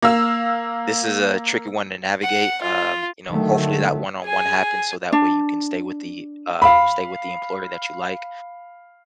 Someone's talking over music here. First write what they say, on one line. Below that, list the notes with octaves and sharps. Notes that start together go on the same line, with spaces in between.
this is a tricky one to navigate. Um, you know, hopefully that one-on-one happens so that way you can stay with the, uh stay with the employer that you like,
A#3 F5 E6
F#5
F4
D3 D#3 F#3 A3
G#4 G#5
D4
F5 B5